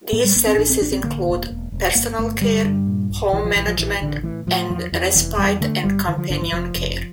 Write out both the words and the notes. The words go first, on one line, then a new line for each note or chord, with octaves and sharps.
These services include: personal care, home management, and respite and companion care.
A2 A#3
G3
A1 A#3
C4
A1 D4
C4
A1 D4
C4
D3 A#3
E1
E1
E1
G1 A#3
G1 A3
D3 G3
G2
A#2
A#1
A#1 E3
F3
A#1 E3
F3
A1 E3
A1 D3
A2 E3
A2 F3
E2 F3
E2 E3
F1 E3
E2 G3
D3 A3
G1 G3
D3 E3
F3
G1 D3
E3
F1 F3
F1